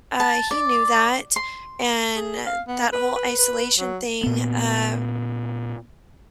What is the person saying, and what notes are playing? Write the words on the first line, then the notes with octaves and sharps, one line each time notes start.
uh, he knew that, and that whole isolation thing, uh,
A5
D5
C6
G#4
F5
B3
B4
B4
B4
F#3
A#2 B3